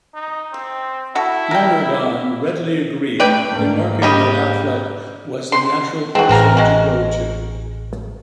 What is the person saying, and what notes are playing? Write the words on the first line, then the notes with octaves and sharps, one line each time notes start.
Lonergan readily agreed, remarking that Affleck was the natural person to go to.
D#4
C4
E4 F#4 A4
A#4 G5
A3 B4 D5 G5
G#2 A#3
G3 G4 D#5
C6
G#3 C4 F#4
A1 E3 C4 A#4
G#3 F#4